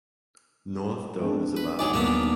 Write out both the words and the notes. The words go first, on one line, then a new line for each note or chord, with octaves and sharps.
North Dome is above it.
G#3 C4 D4
B4
F#3 D#4 G#4 D5 G#5
D#1 D#2 A#3 B3 D4